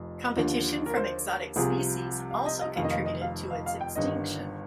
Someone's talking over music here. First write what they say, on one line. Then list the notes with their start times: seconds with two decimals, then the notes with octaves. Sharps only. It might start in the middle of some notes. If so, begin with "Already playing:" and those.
Competition from exotic species also contributed to its extinction.
Already playing: F1 F2
0.36 D#2 D3 F3
0.86 A#4
0.97 C5
1.56 C2 C3 F3 G#4
2.31 F5
2.46 D#5
2.61 D#5
2.76 F1 F2 D#3 F5
2.84 D#5
2.90 F5
3.06 D#5
3.22 F5
3.51 F5
3.66 F5
3.81 G5
3.96 G1 G2 D#3 D#5